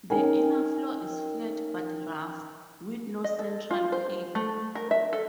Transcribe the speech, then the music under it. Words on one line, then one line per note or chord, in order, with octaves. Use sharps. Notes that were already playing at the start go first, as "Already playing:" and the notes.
The inner floor is flat but rough, with no central peak.
C#4 D#4 A#4 G5 G#5
D#5
A4
F4
C5
A3
A#4
E5
A4